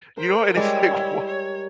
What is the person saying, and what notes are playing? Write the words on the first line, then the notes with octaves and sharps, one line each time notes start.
You know, and it's like, wha
A#4 C5 G5
G3 G#3 E4 C#5 D5
C#5